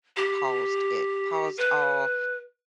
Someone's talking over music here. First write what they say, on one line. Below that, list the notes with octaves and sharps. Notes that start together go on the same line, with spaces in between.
paused it paused all
G4
B4